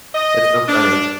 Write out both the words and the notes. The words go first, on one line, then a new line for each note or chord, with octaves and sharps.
That's so funny.
D#5
D4